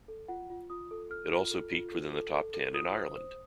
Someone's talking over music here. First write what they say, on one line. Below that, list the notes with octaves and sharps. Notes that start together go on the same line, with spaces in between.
It also peaked within the top ten in Ireland.
A4
F4 F#5
F4
F4 D#6
A4
A4 F6
F4
A4
F4
A4
A4
A4
A4
F4 D#6
C5
C5